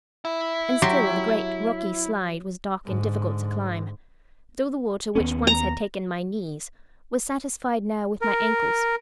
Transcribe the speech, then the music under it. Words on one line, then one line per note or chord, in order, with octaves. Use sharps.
And still the great rocky slide was dark and difficult to climb; though the water, which once had taken my knees, was satisfied now with my ankles.
E4
F#3 G4 C6
G#2 D3
D#2 B3 C#4
A#5
A#4